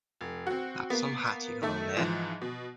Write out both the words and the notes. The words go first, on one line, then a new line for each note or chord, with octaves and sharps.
That's some hat you got on there.
F1
C4 F#4
A#3 B3
D#3 A3 A4
G#2 E3 F3
B2